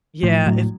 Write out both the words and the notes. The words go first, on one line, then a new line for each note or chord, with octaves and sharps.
Yeah, if
A2 F3
A2 F#3